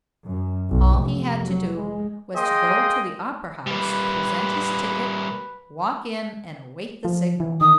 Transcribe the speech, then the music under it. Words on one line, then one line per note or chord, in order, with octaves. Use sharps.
All he had to do was to go to the opera-house, present his ticket, walk in and await the signal.
F#2
B1
F1
F#3
G#3
A#3 G#4 D#5 G5 C6 D#6
G3 A#3 B4
F3
E3
D#3 D#6